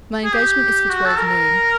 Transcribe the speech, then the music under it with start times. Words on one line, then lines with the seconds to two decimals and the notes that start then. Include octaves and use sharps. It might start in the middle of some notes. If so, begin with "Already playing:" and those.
My engagement is for twelve noon.
0.24 G#4
0.33 G4
0.90 F#4
1.05 A4
1.18 A#4